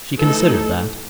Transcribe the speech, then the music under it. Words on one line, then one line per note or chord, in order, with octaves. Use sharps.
She considered that.
E3 A3 D#4 A4